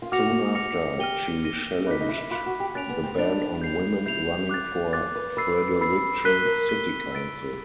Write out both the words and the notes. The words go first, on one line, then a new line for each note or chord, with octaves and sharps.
Soon after, she challenged the ban on women running for Fredericton City Council.
F4
F#4 D6 F6 A#6 C#7 F7
D6 F6 A#6 C#7 F7
G4 F6 A#6 D#7 G7
F6 A#6 D#7 G7
D#4 B5 D6 F#6 B6
D#4
E4
E4
F4 B5 D6 F#6 B6
F#4
G4
C#4 F#6 A6 D7 F7
B3
C4
D4 F#6 A6 D7 F7
G6 C7 F7
E4 G6 C7 F7
D6 F#6 A6
F4 D6 F#6 A6
B4
B4 B5 E6 A6 C7
B5 E6 A6 C7
A#4 F#6 B6 D#7 G7
A#4
F#6 B6 D#7 G7
E6 A6 D7